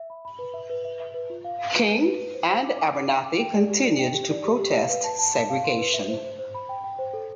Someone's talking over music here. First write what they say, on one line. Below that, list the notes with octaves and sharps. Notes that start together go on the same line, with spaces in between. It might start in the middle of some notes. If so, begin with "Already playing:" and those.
King and Abernathy continued to protest segregation.
Already playing: E5
B5
B5
B4
E5
B4
E5
E5
B4
F4
F5
F5
B4
B4
B4
B4
C5
C5
D6
D6
D6
G5
D6
G5
D5
G4
D5
G5
G4
D5
G4
G4
F5
B4
A5
A5
A5
F5
C6
B4
E5
C5
C5
C5
B5
G5
G5
C5
A4